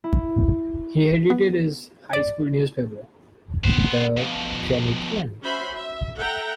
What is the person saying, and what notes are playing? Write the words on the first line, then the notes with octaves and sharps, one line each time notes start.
He edited his high school newspaper, "The Granitian".
E4
B3
D5
B3 C5
B2 F3
C#4 F#4 C5 E5 B5 C6
E5
A4 E5 F#5 G5 A#5